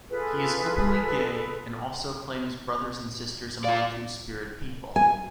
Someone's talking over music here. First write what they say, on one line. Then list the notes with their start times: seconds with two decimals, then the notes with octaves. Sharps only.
He is openly gay, and also claims brothers and sisters among Two-Spirit people.
0.10 F4 G#4 A4 B4
3.64 F4 D5 F5
4.96 G#5